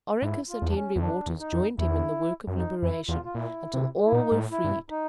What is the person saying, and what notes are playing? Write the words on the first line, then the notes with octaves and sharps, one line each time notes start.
Oracus and Henry Waters joined him in the work of liberation, until all were freed.
G#2 E4
F4
E2
D4
C#4
E2
F2 D4
E2
D#4
F2
E2 E4
F#2
F2 D#4
F2 E4
E2 F4
F4
A#2 E4
C3
E4
A#2 D#4
G#2
A2
E4
G2
D#4